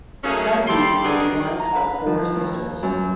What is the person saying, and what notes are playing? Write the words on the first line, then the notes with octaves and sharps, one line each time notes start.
Tunzi is one of four sisters.
F#3 A3 A#3 C#4 D#4 G#4
G3 G4 A4 C6
F#3 G3 B3 D4 D#4 G#4
A#5
B4
F3
D#2
F#2